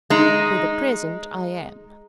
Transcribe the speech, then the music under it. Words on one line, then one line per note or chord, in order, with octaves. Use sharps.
"For the present I am."
G#3 D#4